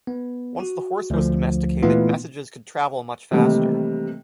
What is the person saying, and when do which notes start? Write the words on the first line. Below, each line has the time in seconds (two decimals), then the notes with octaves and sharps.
Once the horse was domesticated messages could travel much faster.
0.07 B3
0.60 F#4
1.10 D2 F3
1.83 A#2 E3 A3 B3 D#4 F4
3.32 C3 D#3 E3 G3 A3 A#3